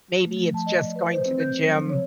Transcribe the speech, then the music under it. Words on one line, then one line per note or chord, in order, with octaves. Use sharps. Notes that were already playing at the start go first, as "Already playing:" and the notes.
Maybe it's just going to the gym
A3
F3
A5
D#5
D5
B4
C5
C4
G6
F#3
F3
C#5